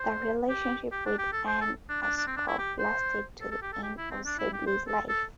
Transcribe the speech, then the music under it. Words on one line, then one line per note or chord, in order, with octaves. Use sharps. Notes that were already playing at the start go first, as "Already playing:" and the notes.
The relationship with Ann Ayscough lasted to the end of Sedley's life.
Already playing: C5
G4
G4
D4
G4
A4
C5
A4
D4
D4
D4
C4
D4
E4
G4
C5
A4
A4
G4
A4
G4
E4
C4
D4
E4
G4
C5
A4
A4